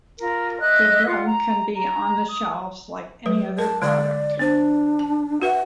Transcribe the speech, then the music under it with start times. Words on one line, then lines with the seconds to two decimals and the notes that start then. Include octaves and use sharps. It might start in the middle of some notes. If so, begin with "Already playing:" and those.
The drug can be on the shelves like any other product.
0.19 F4 A#4
0.61 D#5 E5 F#6
1.06 F4 F#5
1.26 A#5
1.73 A#5
2.27 D#6
3.26 F#3 B4
3.59 A#4 A5
3.82 D3 G#3 D5
4.39 B3 D4 C5
4.99 A5
5.42 F#4 B4 E5 F#5